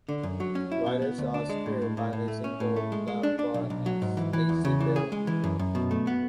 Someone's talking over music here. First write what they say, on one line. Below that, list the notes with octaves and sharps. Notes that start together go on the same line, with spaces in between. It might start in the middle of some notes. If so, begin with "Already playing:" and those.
Riders are secured by a single lap bar and a seat belt.
D3
F#2
F#3
C#4
E4
B2
B3
D2
D4
G#3
A2
A2
A2
A2
A3
C#4
A2
A3
G#3
G#3
D4
D4
B1
B1
F#3
G#2
E3
E3
E2
C#3
E3
G#4
G#3
E3
F#2
F#2
B2
A3
B3